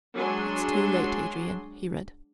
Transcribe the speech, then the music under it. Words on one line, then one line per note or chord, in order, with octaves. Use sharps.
"It's too late, Adrian," he read.
F#3 G#3 D4 G#5 C6